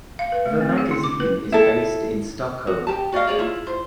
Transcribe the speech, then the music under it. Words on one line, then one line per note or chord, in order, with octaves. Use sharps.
The magazine is based in Stockholm.
F5
B4
A3
C4
G#4
E4
D6
B4
E4 A4
F#4
G4 A5
F#4 D5 D#5 F5
G#4 C#5 D5
E4 F4
C5